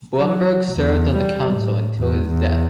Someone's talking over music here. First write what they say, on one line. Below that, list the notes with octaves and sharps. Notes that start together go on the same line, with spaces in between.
Blumberg served on the Council until his death.
F#3
E2
G3
A2
E2
E2